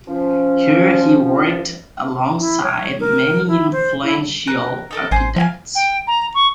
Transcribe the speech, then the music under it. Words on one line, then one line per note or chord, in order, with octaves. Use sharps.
Here he worked alongside many influential architects.
F3 C#4
E4
C#5
A#4
E4
C5
E4
A#4 F#6
D#4 A4 A#4
A1 C5 G#5
F3 F5 G#5
G5
A#5
C#6